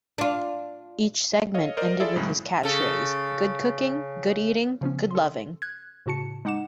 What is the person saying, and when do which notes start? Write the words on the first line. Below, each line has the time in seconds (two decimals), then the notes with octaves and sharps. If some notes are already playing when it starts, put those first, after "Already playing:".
Each segment ended with his catchphrase, Good cooking, good eating, good loving!
0.18 D4 F4
1.54 A4 C#5 D#5 F5
1.77 A#4 C5 D5 D#5
2.00 E4 F4 G#4 A4 D5 E5
2.16 F2 A2 C#3 F#3 G#3 E4
2.63 C#3 A4
4.81 C#3 F3 B3 C#4
5.11 A4 C6
5.62 F#6 G#6
6.06 A2 C#3 F#4 A5 C#7
6.45 G#3 D#4 F#5 D6 E7